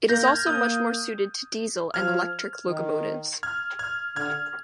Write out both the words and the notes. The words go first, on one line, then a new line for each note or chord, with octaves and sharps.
It is also much more suited to diesel and electric locomotives.
A#3 G6 A#6
F6 G#6
A#3 D#6 G6
F3 F6 G#6
D#3
F6 G#6
F6 G#6
D3 F6 G#6